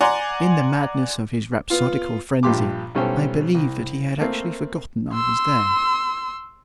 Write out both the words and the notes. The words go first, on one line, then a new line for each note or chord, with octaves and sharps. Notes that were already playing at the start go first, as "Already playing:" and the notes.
In the madness of his rhapsodical frenzy I believe that he had actually forgotten I was there.
D5 F#5 G#5 A#5 C6
B3 F4
A#1 G2 F4 G4 C6 D6
B1 G3 C#4 A4 C5 G5
C2
A3 A#3 C4
C6 E6